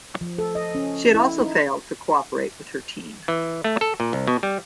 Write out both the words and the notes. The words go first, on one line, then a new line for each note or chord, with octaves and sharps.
She had also failed to cooperate with her team.
F3
A4
D#5
C#4
E4
D#4
E3
A3
A4
A#2
C2
B2
G3